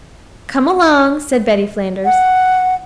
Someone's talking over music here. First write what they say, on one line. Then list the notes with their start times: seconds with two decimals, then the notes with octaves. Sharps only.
"Come along," said Betty Flanders.
2.05 F#5